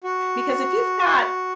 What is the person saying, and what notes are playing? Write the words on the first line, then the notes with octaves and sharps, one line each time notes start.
because if you've got
F#4